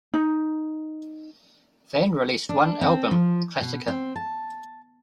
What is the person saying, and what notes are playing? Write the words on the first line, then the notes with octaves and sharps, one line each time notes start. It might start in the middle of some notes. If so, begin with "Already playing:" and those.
Van released one album, "Classica".
D#4
D4
C4
F3
B2
C4
A5